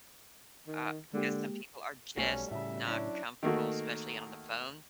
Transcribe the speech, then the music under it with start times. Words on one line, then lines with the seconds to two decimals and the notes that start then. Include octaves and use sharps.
uh, 'cause some people are just not comfortable, especially on the phone.
0.67 D#3
1.14 D3 G#3 A#3 G4
2.17 B1 G3 A3 C#4 F#4
2.51 A2 C#3 E5
2.86 F#3 C#4 D4 E4
3.43 D#3 A3 A#3 F#4